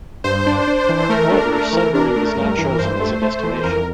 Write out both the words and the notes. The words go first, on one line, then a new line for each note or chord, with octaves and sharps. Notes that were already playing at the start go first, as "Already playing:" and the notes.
However, Sudbury was not chosen as a destination.
G2 C5
D4
D4
E3
A3 A#4
D4
A3
E3
D4 A#4
A3
G2
E3
G2 C5
A3
A3
E3
F2 A#4